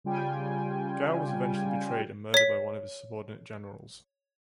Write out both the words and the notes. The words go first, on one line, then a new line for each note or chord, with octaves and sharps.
Guo was eventually betrayed and murdered by one of his subordinate generals.
C#3 G3 F4 G5 G#5
C#5 B6